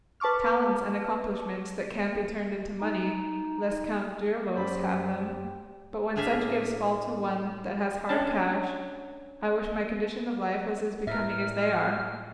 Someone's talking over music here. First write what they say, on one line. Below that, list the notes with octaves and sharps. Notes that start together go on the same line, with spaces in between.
Talents and accomplishments that can't be turned into money, let Count Dirlos have them; but when such gifts fall to one that has hard cash, I wish my condition of life was as becoming as they are.
B4 A5 C#6 D6 F6
D#4
F#2 G4 C5 D5 B5
A2 D4 G#4 E5 F5 G#5
C#4 D4 A5
A2 A#4 B4 E5 F6